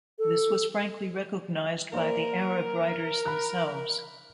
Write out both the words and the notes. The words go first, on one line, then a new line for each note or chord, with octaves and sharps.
This was frankly recognised by the Arab writers themselves.
A4
A#3 A#4 C5 D5
B5 F#6